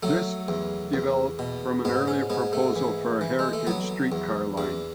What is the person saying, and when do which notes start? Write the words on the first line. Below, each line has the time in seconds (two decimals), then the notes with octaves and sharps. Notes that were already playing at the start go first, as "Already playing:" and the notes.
This developed from an earlier proposal for a heritage streetcar line.
0.03 F#3 A3
0.48 E2
0.93 E2
1.39 B2
1.85 G#2 B3
2.08 C#4
2.30 G#2 B3
2.53 A3
2.76 E3
3.21 E3
3.39 G#3
3.53 A3
3.67 F#3 B3
4.12 E2
4.58 E2 D4